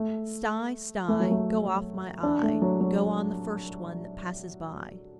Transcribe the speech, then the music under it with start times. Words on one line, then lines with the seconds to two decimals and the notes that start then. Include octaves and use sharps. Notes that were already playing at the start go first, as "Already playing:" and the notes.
Sty, sty, go off my eye, Go on the first one that passes by.
Already playing: A3
1.08 A3
1.20 F#3
1.31 A3
2.23 D4
2.43 A3
2.62 F#3
2.81 F#3